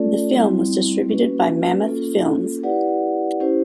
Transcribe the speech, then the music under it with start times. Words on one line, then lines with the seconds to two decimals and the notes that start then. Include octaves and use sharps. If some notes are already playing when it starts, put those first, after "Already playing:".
The film was distributed by Mammoth Films.
Already playing: A3 C#4 F4 A4 D5
0.33 G3 C4 E4
1.10 A#3 C#4 F#4 B4
1.87 A#3 C#4 F4 A4
2.63 E4 G4 B4 D5 F#5
3.40 C#4 E4 G4 C5